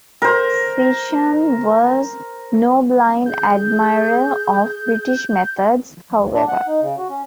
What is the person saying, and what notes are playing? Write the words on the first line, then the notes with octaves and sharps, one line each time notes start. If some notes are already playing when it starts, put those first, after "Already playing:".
Sisson was no blind admirer of British methods, however.
A#4 C5
G#4 G6
D#2
D4
F#5
D#4
C#3
F#4
C#4